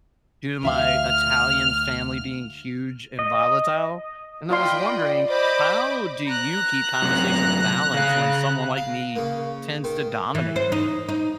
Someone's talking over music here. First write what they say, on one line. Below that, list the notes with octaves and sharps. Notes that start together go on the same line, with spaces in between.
due to my Italian family being huge and volatile. And I was wondering, how do you keep conversations balanced when someone like me tends to dominate it?
D2 E5 F5 F6
D#5
F4 D5 D#5 F5 G5 B5 C6
C5 D#5 B5 D6
A#5 F#6
F#2 C3
C#3 F5
F5
C#3 A#3
D#3
E3
C5
D#4
D#4